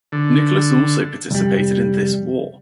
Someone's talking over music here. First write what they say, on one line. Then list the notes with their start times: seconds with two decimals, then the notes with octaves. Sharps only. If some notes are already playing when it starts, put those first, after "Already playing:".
Nicholas also participated in this war.
0.12 D3
1.31 C2 F2 G3